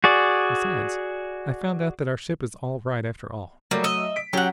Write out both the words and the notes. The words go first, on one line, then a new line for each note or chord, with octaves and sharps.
Besides I've found out that our ship is all right, after all.
F#4 G#4 D5
F#3 G3 A3 A#3
D#5 E5
B6 D7
F#3 C#4 G4 F#5